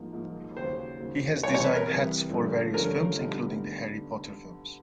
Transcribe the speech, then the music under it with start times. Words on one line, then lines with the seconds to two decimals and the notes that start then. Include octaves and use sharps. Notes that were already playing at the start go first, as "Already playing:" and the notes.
He has designed hats for various films, including the Harry Potter films.
Already playing: G#2 F3 A#3
0.13 G#2 F3 A#3
0.56 D#2 C#3 F#3 A#3 C5
0.99 D#2 C#3 F#3 A#3
1.43 C2 C3 E3 C#5
1.54 C#5
1.64 B4
1.76 A#4
1.86 C2 C3 E3
2.30 G2 D3 F3 A3 C#4
2.73 G2 D3 F3 A3 C#4 A#4
3.17 D3 G3 B3 D#4